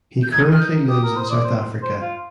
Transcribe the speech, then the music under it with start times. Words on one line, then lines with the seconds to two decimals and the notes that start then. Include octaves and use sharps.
He currently lives in South Africa.
0.23 G6
0.32 D#4 G#6
0.52 F6
0.60 G6
0.88 G4 D#6
1.03 A#4
1.16 C5
1.30 D5
1.44 C5
1.83 C5
2.01 F4